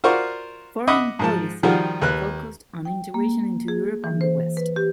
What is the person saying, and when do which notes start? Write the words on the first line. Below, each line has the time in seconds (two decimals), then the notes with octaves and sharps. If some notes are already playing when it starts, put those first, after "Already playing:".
Foreign policy focused on integration into Europe and the West.
0.04 F4 F#4 A#4 C5 D5 C#6
0.87 D#5 E5 F#5 B5 D6 D#6
1.19 G#2 F3 A5
1.63 D#3 F3 G3 F4 F#4
2.02 D#2 B4 F#6
2.85 G5
3.14 A#3
3.68 G#4
4.04 E3
4.21 C5
4.57 B4
4.76 G4